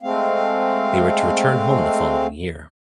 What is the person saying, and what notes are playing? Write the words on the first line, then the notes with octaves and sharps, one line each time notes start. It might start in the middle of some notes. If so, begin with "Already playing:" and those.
They were to return home the following year.
G#3 A3 C4 F5